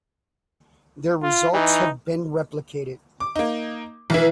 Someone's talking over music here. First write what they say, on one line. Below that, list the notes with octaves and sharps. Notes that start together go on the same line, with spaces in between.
Their results have been replicated.
F4
E3 D#4
D6
A#3 D#4
B1 E3 E4